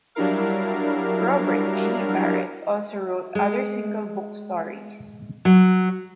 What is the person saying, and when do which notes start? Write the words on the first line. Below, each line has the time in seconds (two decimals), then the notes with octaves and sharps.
Robert G. Barrett also wrote other single book stories.
0.15 F#3 G3 D4 E4 A#4 F5
3.35 G#3
5.45 F#3